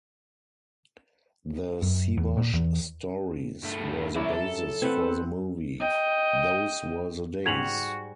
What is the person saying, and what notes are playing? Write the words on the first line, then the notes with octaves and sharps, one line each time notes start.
The Siwash stories were the basis for the movie Those Were the Days!
F#2
E2
A#2
E2
G2 A3
F#2 E4 C5 D5
A4
C4 B4 F#5
D#5 G5
G#2 G3 F#4 G#6 F7 F#7